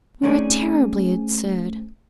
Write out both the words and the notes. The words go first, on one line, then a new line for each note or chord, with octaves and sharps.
We were terribly absurd.
A3 C4 C#4 D#4 G#4 D5